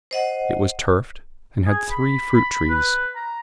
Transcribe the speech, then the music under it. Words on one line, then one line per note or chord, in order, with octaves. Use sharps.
It was turfed, and had three fruit-trees.
C5 D#5 F#5
G#4
B5
B5
B4
A#5